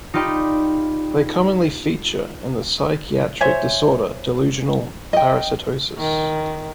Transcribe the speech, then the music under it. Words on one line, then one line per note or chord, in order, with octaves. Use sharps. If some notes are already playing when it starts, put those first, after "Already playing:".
They commonly feature in the psychiatric disorder delusional parasitosis.
D#4 F4 G4 D5 D#5 B5
C5 C#5 E5 G#5
D#5 G5
D#3